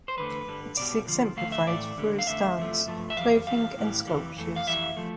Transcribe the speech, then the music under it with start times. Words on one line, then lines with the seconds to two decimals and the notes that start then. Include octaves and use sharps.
It is exemplified through its dance, clothing, and sculptures.
0.08 C5
0.17 E2 D3 A3 B4
0.47 G2 D3 G3
0.77 C2 B2 G3 D5
1.07 D2 D3 F3
1.37 D2 D3 A3 F5
1.52 E5
1.67 A2 E3 A3 D5
1.97 D2 D3 G3
2.19 F5
2.27 E2 D3 A3 E5
2.57 E2 C3 F3 A3
2.87 G2 F3 A3
3.10 E5
3.17 F2 E3 G3 F5
3.47 E2 C3 E3 G3 F5
3.77 A2 E3 G3
4.07 E2 C3 E3 G3
4.37 F2 E3 A3
4.56 F5
4.67 F2 E3 G3 E5
4.97 F3 A3